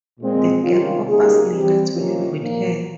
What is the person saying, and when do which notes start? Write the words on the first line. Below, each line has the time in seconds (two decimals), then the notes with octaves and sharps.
The girl offers Lena to live with her.
0.20 A#2 G#3 C4
0.64 C3 D#3 G3 C#4 F4
1.08 C#3 G3 A#3 D#4 G#4
1.51 G3 C4 G4
1.95 C3 D#3 A#3 C#4 F4
2.38 A#2 F3 A#3